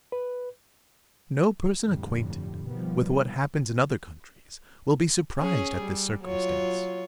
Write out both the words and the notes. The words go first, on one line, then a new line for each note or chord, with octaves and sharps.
No person acquainted with what happens in other countries will be surprised at this circumstance.
B4
G1 F2 A2 D3 G3
B2 D#3 F3 G3 B3
C#4 G#4
G3
F#3 F4 C#5